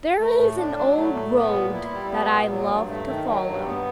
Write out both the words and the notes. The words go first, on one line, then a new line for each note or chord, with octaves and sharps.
There is an old road that I love to follow.
A3
A2
D4
F#3
A3
A2
B3
A#2
E4
G3
B3
A#2
F#3
G2
A3
D#3
F#3
G2
B3